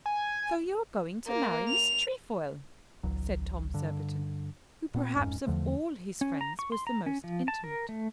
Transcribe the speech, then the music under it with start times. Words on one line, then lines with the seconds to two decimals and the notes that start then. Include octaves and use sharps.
"So you're going to marry Miss Trefoil," said Tom Surbiton, who perhaps of all his friends was the most intimate.
0.06 G#5
1.27 A#3
1.69 F7
3.03 G#1 C#2 F#3
3.74 G2 D3
4.94 A#2 B3 C4
5.16 D1 F2 G#2 C#4
5.47 E2 D3 F3 A3
6.21 C#4
6.41 A#5
6.59 C#6
6.72 C6
6.87 A#5
7.06 C#4
7.24 F3
7.48 A5
7.64 A#4
7.89 A3